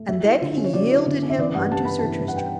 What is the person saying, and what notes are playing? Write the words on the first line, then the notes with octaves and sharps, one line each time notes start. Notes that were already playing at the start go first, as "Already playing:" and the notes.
And then he yielded him unto Sir Tristram.
Already playing: A3
F#3 E5
E4
D3
C#4
C#5
F#3 D5
E4
D3
C#4
E5
E3 D5
G2 F#5
G2 A5
B3 B5
E3 A5
G2
F#5
G5